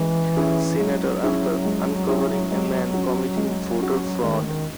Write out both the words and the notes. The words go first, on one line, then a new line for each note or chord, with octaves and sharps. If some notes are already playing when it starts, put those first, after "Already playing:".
Senator, after uncovering a man committing voter fraud.
Already playing: E3 G#3 C#4
C#4 E4 G#4
F#3 G#3
C#4 E4 G#4
G#3
C#4 E4 G#4
G#3
C#4 F#4
G#3
C#4 F#4
D#3 G#3
D#3